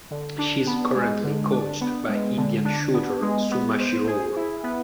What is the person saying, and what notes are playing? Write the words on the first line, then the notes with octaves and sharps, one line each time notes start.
She is currently coached by Indian shooter Suma Shirur.
D3
D4
B3
G#3
D3
D4
B3
G#3
D3
D4
B3
G#3
B3
C5
G#4
E4
B3